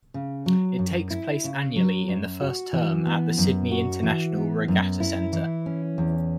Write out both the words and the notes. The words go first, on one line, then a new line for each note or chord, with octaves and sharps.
It takes place annually in the first term at the Sydney International Regatta Centre.
C#3
F#3
F#2
E4
C#3
F#3
F#2
F#4
E3
B3
F#2
F#4
E3
B3
F#2
E4
E3
C#4
E2